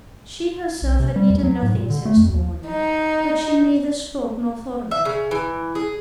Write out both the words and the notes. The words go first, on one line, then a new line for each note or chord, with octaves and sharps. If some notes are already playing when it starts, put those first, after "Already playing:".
She herself had eaten nothing since the morning, but she neither spoke nor thought of that.
B1
C3
G3
E2
F#3
G#2
A#2
D3
A3
F2
D#2
D#4
E5
C#3
E3
G#4